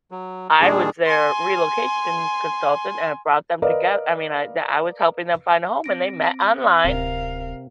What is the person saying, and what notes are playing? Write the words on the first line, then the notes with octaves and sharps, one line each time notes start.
I was their relocation consultant, and I brought them togeth I mean, I d I was helping them find a home, and they met online
F#3
A#2 D#3 G3 D4 G#4
G#5 C6
A#4 B4 D5 D#5 F5
C4 A#6 D7
D1 C3 A#4 F5